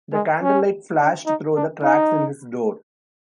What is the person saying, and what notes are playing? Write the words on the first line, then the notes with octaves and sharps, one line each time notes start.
The candlelight flashed through the cracks in his door.
G#3
C#4
D4
D#4
D4
D#4